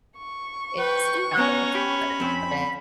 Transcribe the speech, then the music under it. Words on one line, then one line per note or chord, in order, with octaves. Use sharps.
it's you know, it's hard, but I
C#6
B4 G5
B3 C#4 A#5
G4 B5
F2 C4